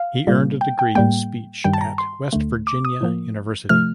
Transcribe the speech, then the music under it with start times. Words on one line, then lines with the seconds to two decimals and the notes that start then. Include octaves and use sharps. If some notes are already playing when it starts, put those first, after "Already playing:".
He earned a degree in speech at West Virginia University.
Already playing: F5
0.27 A#2 G3 A#3
0.61 G5
0.79 G5
0.95 A2 G3 A#3 G5
1.64 G2 D#3 G3 G5
1.73 A5
1.81 A#5
1.98 C6
2.33 D2 D3 A3
2.67 D6
2.85 D#6
3.01 A2 F3 A#3
3.69 C3 F3 A3 F6